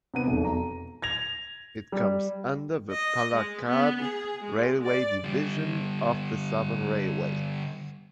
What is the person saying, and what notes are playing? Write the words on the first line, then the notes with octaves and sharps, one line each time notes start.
It comes under the Palakkad Railway Division of the Southern Railway.
C3 B3 D#7
E1 B1 F2
A#5
G#6 A#6 F7
G3
D#5
G#3
B3
G#4
G#3
D5
D3 G3